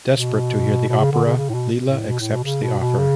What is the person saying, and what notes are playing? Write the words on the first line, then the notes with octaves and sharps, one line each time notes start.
Desperate to hear the opera, Leela accepts the offer.
B2
B2
C#3
D3
C#3
C#3
A2
B2
B2
A2
B2
A2
B2
C#3
B2
B2
C#3